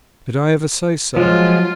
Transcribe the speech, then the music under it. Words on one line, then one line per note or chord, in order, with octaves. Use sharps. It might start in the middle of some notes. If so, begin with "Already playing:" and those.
"Did I ever say so?"
F3 F#3 G#3 F4